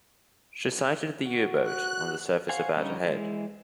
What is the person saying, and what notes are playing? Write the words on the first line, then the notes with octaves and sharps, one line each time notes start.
She sighted the U-boat on the surface about ahead.
F#4
F#6
C5 C#5 F5 F#5 G#5
D3 G3 C#4 D#4
E3 G#3